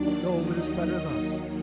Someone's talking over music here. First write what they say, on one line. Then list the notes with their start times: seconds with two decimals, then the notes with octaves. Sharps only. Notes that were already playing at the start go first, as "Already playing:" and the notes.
No, it is better thus.
Already playing: D#2 D#3 F#3 D4 D5
0.34 D#4 D#5